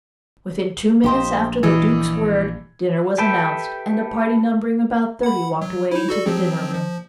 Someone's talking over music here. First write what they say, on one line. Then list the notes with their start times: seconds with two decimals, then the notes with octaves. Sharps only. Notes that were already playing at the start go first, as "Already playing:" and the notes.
Within two minutes after the Duke's word dinner was announced, and a party numbering about thirty walked away into the dinner-room.
1.04 A#1 G4 C5 D#5
1.63 E3 D5 D#5
3.18 G4 A4 B4 E5 G5
5.23 F#5 B5
5.61 F#3
5.91 D#4 E4
6.09 F#4 A4 D5
6.26 F3 F#3 C4
6.74 F3